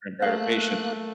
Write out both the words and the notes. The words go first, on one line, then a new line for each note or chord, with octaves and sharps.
prepare the patients.
A3 A#3 G#4 F5 F#6